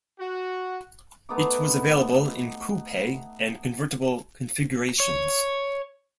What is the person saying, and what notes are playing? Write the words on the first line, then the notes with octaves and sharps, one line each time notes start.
It was available in coupe and convertible configurations.
F#4
A3 B3 D#4 D6
C#5